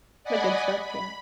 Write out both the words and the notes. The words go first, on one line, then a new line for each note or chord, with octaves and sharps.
The good stuff, yeah.
D5 D#5 F#5 G#5 B5
B5